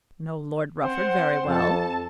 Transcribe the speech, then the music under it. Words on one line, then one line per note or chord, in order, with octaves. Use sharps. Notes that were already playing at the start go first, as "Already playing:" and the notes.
"Know Lord Rufford very well!"
C4 C5 F#5
F2 A4 A5